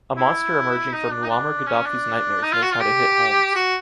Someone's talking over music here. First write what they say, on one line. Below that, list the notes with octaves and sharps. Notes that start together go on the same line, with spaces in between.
A monster emerging from Muammar Gaddafi's nightmares knows how to hit homes.
E4
D#4
D4
D#4
D4
C#4
D4
D#4
F4
F#4
F4
G4
F#4